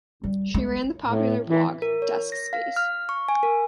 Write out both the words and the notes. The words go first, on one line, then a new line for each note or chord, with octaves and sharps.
She ran the popular blog, Desk Space.
G3
G#3 A3
A2
E3
A#4
C#5
A#6
F5
F6
C#6
G#5
A#4